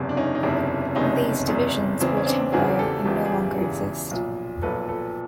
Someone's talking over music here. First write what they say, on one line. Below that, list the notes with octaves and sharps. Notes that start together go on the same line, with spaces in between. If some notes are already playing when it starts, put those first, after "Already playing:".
These divisions were temporary and no longer exist.
Already playing: F#1 E2 C3
D4
C#4 D#4
D#4
F#1 E2 C3 D4 E4
F#1 E2 C3 C#4 D#4
F#1 E2 C3
E2 C#3 E3 C4
C#4
C4 D4
E2 C#3 E3 F#4 G#4
G#4
G4 A4
E2 C#3 E3 F4 G4
G#4
F4 G4
E2 C#3 E3
B1 A#2 F3
B1 A#2 F3 A4 B4
A4 B4